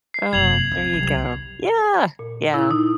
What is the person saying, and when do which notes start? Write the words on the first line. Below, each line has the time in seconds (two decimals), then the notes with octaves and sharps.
Oh, there you go yeah, yeah.
0.14 C7
0.33 F#1 C3 G#6 F7 F#7
0.71 C4
0.93 C2 F#3
2.19 A#2
2.54 E4
2.71 D#4